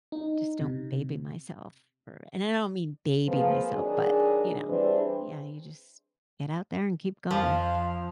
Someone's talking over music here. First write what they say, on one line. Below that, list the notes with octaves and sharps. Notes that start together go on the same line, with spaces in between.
I just don't baby myself for and I don't mean baby myself, but, you know, yeah, you just get out there and keep going.
D#4
C3
F3 G#3 A#3 C4 G#4 B4
D#3 F#3 D4 G#4
E3 G3 C4 D4 G#4 B4
F2 F3 F5